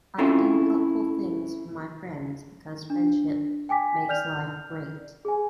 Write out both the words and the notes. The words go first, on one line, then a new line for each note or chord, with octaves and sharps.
I do helpful things for my friends because friendship makes life great.
C4 C#4 E4 F4 A4
D4
G5 G#5 D6 B6
D5 F6 G6 F7
G#4 G#5